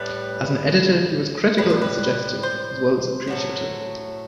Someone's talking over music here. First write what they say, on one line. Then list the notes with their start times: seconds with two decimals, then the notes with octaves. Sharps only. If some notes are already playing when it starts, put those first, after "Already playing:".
As an editor he was critical and suggestive, as well as appreciative.
Already playing: A2 G3 B4
1.58 A2 G3 B4
1.70 C5
1.81 B4
2.43 C5
3.27 A2 F#3 A3